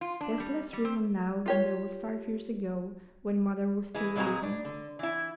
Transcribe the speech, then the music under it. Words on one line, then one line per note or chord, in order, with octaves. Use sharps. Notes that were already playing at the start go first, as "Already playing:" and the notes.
There's less reason now than there was five years ago when mother was still living.
F4
D4
G3
G3
C4
F4 G4 C#5
E3 G#3
A#2 E3 G#3 C4 F#4 A#5
D4
D3
E3 E4